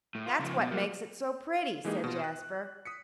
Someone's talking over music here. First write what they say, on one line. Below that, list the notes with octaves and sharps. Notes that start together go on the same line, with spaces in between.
"That's what makes it so pretty," said Jasper.
A2
F4
C#3 F3
B2
F#3 A#3
E3 G#3 A#3 D#4 G4 G#4
B2 F4
F#6
D#6 B6 C#7